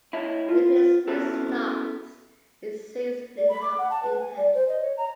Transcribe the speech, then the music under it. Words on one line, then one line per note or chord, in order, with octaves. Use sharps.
It appears Mrs. Knox is serious in her intent.
E4 C#5 D#5
F4
B3 C#4 E4 F#4 A4
D5
B5
D6
F#5
A5
B4
G#5
D5
C5
D#5
C#5
A#5